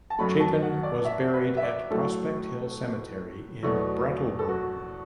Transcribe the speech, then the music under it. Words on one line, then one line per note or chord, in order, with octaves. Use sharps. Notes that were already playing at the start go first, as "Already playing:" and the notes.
Chapin was buried at Prospect Hill Cemetery in Brattleboro.
A5
F#2 F#3 A3 B5
A5
F#5
D5
E5
B4
E5
D5
A2 F#3 A3 A4
E2 B2 F#3 A3
A4
F#4